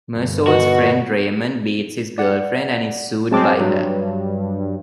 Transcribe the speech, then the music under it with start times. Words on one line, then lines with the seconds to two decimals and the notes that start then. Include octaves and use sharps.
Mersault's friend Raymond beats his girlfriend and is sued by her.
0.15 G1
0.47 B2 F#4
2.18 D5 F#5
3.31 F#3 G#3 C4 A5 D6
3.60 G2 F#3